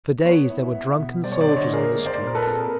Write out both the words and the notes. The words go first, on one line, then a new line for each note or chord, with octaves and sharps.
For days there were drunken soldiers on the streets....
B3 B4 C#5
E4
B3
B2
G3 C5 D5
C#5
C5 D5
D3
C#5 D#5
A#3 G#4 A#4
A#3
C5 D5
A#2 A#4
A4 B4
C4 G#4 A#4
G#4 A#4